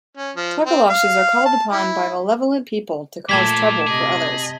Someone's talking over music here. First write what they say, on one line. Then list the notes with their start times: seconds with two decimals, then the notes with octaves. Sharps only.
Tokoloshes are called upon by malevolent people to cause trouble for others.
0.17 C#4
0.36 F3
0.66 C4
0.90 F5
1.45 A5
1.73 E4
3.29 A#2 F3 A3 A5 D6 G#6 B6
3.87 C3 G#4 D#5